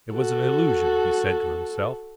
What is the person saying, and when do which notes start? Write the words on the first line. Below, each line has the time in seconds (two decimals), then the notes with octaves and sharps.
It was an illusion, he said to himself.
0.13 F#4 A4